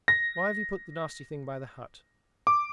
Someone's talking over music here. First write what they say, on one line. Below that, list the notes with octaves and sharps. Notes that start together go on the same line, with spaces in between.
Why have you put the nasty thing by the hut?'
A#6
D6